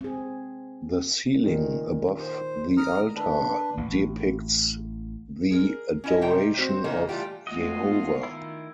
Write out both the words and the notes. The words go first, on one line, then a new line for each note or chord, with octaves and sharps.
The ceiling above the altar depicts the "Adoration of Jehovah".
C4 G#4
A#2 D#3
C5
A#5 D#6 F6
D4 B4
A1
G#4 A#4
C#4 E4 D#5
C3 G3 A3 G5 A#5
C4 F#4 C5
C#3 E3 F#3 A#3 B3 D#4
E3 G3 A3 F4 G4
G#3 A3 B3 F4 F#4 D#5
D#3 E4